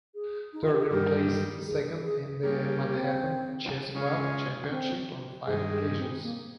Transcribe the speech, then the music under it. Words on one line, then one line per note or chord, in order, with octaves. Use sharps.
Turner placed second in the Manhattan Chess Club championship on five occasions.
G#4
D#4
F4
G4
G#4
G2 D#3 G3 A#4
G#4
G#4
C#3 G3 A#3 G#4
G4
C4
C#3 G#3 C#4 F4
C4
G2 D#3 G#3 G#4
G#4
C4
A#3